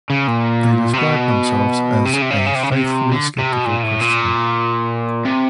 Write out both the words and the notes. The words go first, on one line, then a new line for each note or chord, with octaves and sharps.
They describe themselves as "a faithfully skeptical Christian".
C#3
A#2
C3
B2
C3
C#3
C3
C#3
C3
C#3
C3
C#3
C3
D3
C3
B2
A#2
A2
A#2
C3